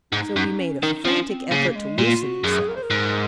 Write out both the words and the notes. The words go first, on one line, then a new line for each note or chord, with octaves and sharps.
So he made a frantic effort to loosen himself.
G#2 D#4
F#2 D#4
C#4
D#3 D#4
F3 C#4
C4
C#3 A#3
A#3
G#3
A#2 F4
F#4
F#2 G#4
A#4
C5
A#4
G#2